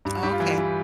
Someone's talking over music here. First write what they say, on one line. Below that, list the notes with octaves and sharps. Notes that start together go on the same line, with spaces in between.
Oh, okay.
G2
G2 G4
F4
E3
E3